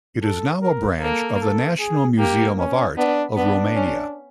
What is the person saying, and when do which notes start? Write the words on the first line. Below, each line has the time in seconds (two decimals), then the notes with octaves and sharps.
It is now a branch of The National Museum of Art of Romania.
0.23 A4
0.62 A#4
1.01 A#3 A4
1.40 A4
1.80 G#4
2.19 A#3 G4
2.58 C#4
2.97 B3 D4
3.36 B3 D4
3.76 C#4